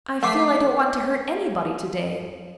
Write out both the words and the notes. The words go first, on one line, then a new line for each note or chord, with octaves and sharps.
"I feel I don't want to hurt anybody to-day."
A3 F#5 D6 B6 C7